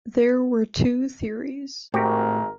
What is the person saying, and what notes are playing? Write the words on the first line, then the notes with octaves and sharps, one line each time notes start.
There were two theories.
G#1 A2 C4 F#4 G4 A#4